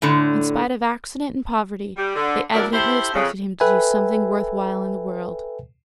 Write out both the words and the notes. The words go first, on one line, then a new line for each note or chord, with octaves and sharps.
In spite of accident and poverty, they evidently expected him to do something worth while in the world.
A2 D3
G3
D3
D2 A#2 F#3 E4 A#4 D5
E4 G4 A4 C5
F2 C#3
A4 B4 E5 G5 G#5